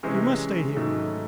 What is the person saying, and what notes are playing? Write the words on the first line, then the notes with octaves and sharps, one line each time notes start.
You must stay here.
C3 E3 G#3 C#4
G#2 D#3 F#3 A3